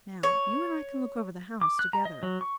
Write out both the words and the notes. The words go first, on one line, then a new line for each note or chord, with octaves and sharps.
"Now, you and I can look over the house together."
C#5
D6
F#6
A#5
D#5
F#3
C#6